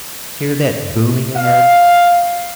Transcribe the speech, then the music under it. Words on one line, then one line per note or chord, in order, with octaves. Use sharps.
Hear that booming ahead!
F5